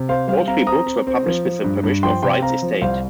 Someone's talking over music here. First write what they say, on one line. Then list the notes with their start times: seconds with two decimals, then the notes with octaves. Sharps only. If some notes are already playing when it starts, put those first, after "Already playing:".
All three books were published with the permission of Wright's estate.
Already playing: C3
0.09 C4 C5 F5
0.28 G3 C5 F5
0.48 C4 F5 A#5
0.67 C4 A#5 D#6
0.86 C4
1.07 C4
1.26 F3
1.46 F3
1.64 G2
1.84 G2
2.03 F3 G5 C6
2.23 C3 G5 C6
2.42 C4 F5 A#5
2.62 F3
2.81 C2 C5 F5